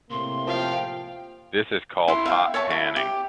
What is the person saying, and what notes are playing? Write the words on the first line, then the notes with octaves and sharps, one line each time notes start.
This is called "hot panning".
A2 C3 A#3 C6
F3 F5 G5
E4 C6
E5 F5 G5
C#5 E5 A5 C#6
E4
G4